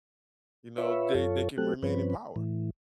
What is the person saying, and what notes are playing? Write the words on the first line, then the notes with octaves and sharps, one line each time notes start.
you know, they they can remain in power.
F4 B4 C#5 E5
F#2 F4 A4 C#5
F#3 A3 C4 G4 A4 F#6
G2 F3 C4 C#4 B4
A2 E3